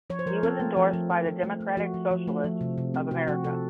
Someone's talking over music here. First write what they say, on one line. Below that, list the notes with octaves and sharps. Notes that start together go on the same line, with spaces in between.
He was endorsed by the Democratic Socialists of America.
F3 C#5
C5
F3 A#4
C4 A4
A3
F3
F3
F3
F3
A3
A3
F3 F#4
F3
F3
A3
F3
C3
C3
C4
C3 F#4
F3 F#4
C3 A4